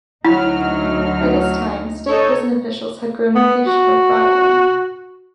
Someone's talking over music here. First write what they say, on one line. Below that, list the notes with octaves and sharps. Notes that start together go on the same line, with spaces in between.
By this time, state prison officials had grown impatient with rioting.
D2 F#3 D#4 E4 F6
D#4 A4 C#5
B3
F#4